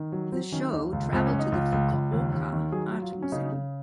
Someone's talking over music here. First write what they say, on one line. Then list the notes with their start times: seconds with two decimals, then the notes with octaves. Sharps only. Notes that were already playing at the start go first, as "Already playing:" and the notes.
The show traveled to the Fukuoka Art Museum.
Already playing: D#3
0.12 F#3
0.32 F#3 C4
0.52 D#3 C#4
0.72 D#2 D#4
0.92 C#2 F4
1.12 C#2 C4
1.26 C#4
1.32 C#2
1.39 D#4
1.52 C#2 F4
1.72 C#2
1.92 C#2
2.12 D#2
2.32 D#2
2.52 D#3
2.72 F#3 G#4
2.92 F#3
3.02 F4
3.12 F#3
3.23 C#4
3.32 C#3 D#4
3.52 C#3